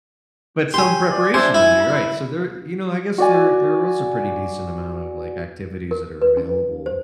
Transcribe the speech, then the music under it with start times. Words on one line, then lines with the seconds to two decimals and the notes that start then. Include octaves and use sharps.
but some preparation though, you're right. So, there you know, I guess there there was a pretty decent amount of like, activities that are available
0.74 G4 G#5 C6
1.11 D5
1.34 D4 C5 E5 G#5
1.54 E4 G#5
1.80 B5
3.18 F#4 D5 G#5
5.91 A#4
6.22 B4
6.37 C#4
6.86 C5